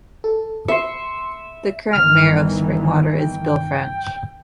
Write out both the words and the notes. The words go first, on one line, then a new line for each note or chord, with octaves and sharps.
The current mayor of Springwater is Bill French.
A4
E5 C6 C#7
G1 D#3 E3 F6
G3
G5